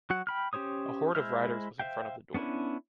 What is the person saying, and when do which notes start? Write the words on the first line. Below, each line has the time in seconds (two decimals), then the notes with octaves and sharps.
A horde of riders was in front of the door.
0.10 F#3 F#4 F#5
0.27 G5 B5 F6
0.53 C#4 G4 C5 C#5 D#6
1.15 G#3 E4 C5 E5 F6
1.80 C5 E5 F5 G5
2.34 B3 C#4 D4 E4